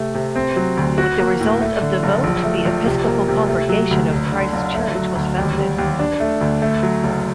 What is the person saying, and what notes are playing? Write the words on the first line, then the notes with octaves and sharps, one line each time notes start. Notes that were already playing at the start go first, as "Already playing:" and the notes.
With the result of the vote, the Episcopal congregation of Christ's Church was founded.
Already playing: C3 A3
C3
C4
F#3
D2
F#4
A#3
A2
A3
D3
F#1
A#1
A3
A#1
C3
A#3
C3
A3
F#3
D2
F#1
D3
F#1
A3
F#3
D2
D#2
G3
D#2
D4
A3
D2
A3
F#3
F#1